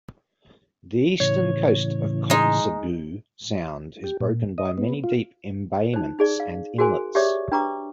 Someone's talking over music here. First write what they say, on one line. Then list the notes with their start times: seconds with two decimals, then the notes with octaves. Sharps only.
The eastern coast of Kotzebue Sound is broken by many deep embayments and inlets.
1.20 A2 C#3 E3 C#5
2.30 G#3 D#4
4.04 G4
4.21 A#2
4.58 D#5
4.78 B3
5.04 F4
5.94 D#4 C5
6.19 D#4 G#4 D5
6.40 F5
6.78 F#4 G#4 A#4 C5 G#5
7.15 G4 C#5 D5 E5 D6
7.52 D4 B4 A#5 C#6 D6